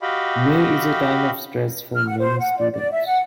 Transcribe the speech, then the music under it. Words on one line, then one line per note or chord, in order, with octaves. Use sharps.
May is a time of stress for many students.
F#4 G4 D#5 F5 G5 B5
F6
F#5
C5
F#5
D5
D5
E5
F#5